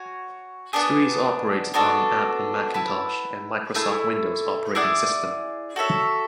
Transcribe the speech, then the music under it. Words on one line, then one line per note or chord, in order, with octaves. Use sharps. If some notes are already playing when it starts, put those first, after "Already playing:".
Squeeze operates on the Apple Macintosh and Microsoft Windows operating systems.
Already playing: F#4 C#5 G#5
B3 D4 G#4
B3 D4 F#4 A4
E4 B4 F#5 A5
A3 E4 G#4
E4 G#4 D5 F#5
F#4 A4 C#5 E5